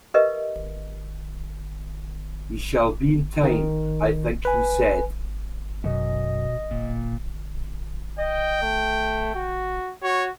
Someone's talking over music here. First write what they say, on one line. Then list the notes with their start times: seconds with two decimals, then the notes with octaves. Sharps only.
"We shall be in time, I think," he said.
0.14 G4 A#4 B4 D#5 E5
3.43 D#3
4.45 B4 G#5
5.84 F#2 B2 D#5
6.71 D1 A#2
8.19 D#5 G5
8.62 A3
9.35 F#4
10.03 F#4 C#5